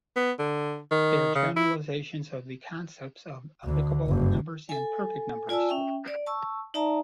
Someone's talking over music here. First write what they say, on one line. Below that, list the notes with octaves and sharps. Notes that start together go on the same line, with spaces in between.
They are generalizations of the concepts of amicable numbers and perfect numbers.
B3
D3
D#3
C#3
E4
D2 D3
F#1 G2
A4 G#5
F4 D5 G#5 A5 E6
C#4 E5 G5
D5
A5 C#6 E6
D#4 D5 E5 A5 A#5